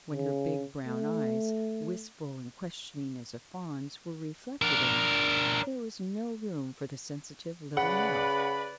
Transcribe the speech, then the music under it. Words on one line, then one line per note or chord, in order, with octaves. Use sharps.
When her big brown eyes, wistful and questioning as a fawn's, were reflected in it, there was no room for the sensitive little mouth.
C#3
A3
D4 A#4
C#3 B4 D5 F#5 B5